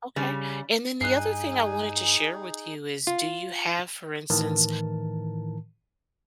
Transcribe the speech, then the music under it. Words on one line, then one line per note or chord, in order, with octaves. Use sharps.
Okay. And then the other thing I wanted to share with you is, do you have, for instance,
C#3 G3
G2 D#4 G#4 G#5 F#6 C7
F4
A2 D#3 E3 A#4 A5